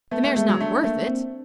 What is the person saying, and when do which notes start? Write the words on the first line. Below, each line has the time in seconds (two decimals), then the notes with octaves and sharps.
The mare's not worth it.
0.11 A3 B3
0.24 A3
0.36 G#3 A3
0.49 F#3
0.60 A3 D4
0.84 A3 A#3
1.09 C4